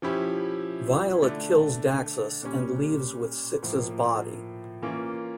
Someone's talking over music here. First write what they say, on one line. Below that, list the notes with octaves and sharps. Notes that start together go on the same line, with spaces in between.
Violet kills Daxus and leaves with Six's body.
F3 C#4 E4 G4
D3 A3 D4
A#2 G3 C#4
A2 F3 A#3
E3 A#3 C#4 F4